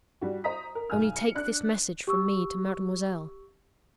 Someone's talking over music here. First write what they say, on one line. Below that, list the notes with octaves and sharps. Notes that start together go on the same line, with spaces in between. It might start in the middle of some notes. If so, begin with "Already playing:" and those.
Only take this message from me to mademoiselle.
G3 F#4
C5 D#5 A#5 D#6 B6
A#4
B1 G#5 F6
C#7
D4 F#6
G4 C#6 E6